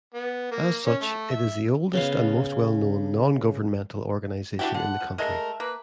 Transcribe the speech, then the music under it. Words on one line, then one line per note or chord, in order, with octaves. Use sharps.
As such, it is the oldest and most well-known nongovernmental organisation in the country.
B3
A#3
C#4
A3
E5
C#3 B3 F5
D4 E4 F#4 G4
D3 F#5
F3
G#3 A3 A#4 D#5
A#3 B4